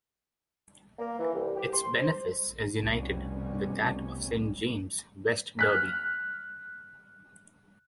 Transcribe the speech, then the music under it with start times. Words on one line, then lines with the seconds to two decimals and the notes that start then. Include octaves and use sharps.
Its benefice is united with that of Saint James, West Derby.
0.99 A#3
1.19 E3
1.34 C2
1.56 G4
1.73 C6
1.94 C5
2.78 F1 C2 B2 G3 C#4
5.59 F6 F#6 B6